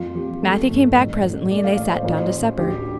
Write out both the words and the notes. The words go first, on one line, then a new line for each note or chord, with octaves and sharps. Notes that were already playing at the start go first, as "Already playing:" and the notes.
Matthew came back presently and they sat down to supper.
Already playing: F2 F4
F2 G4
A3
G1
A1
A1
A3 D5
F5
A1 F5
C5
A1 F4
A1
D2 G4